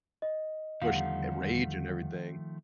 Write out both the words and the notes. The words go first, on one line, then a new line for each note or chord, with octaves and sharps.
push, uh, rage and everything.
D#5
E2 D3 D#3 F3 G3 A3 F5 F#5